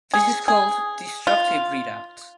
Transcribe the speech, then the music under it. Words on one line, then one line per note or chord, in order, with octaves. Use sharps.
This is called "destructive readout".
G#4
G#4
F4